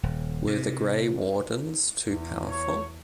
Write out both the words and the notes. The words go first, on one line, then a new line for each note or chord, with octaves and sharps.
Were the Grey Wardens too powerful?
D#1
C3
E2
C#5